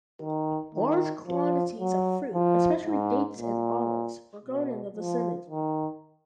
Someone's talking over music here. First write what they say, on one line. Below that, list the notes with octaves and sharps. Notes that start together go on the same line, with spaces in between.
Large quantities of fruit, especially dates and olives, were grown in the vicinity.
D#3
D#3
F3
F#3
F3
G#2
A#2
B2
F3
D#3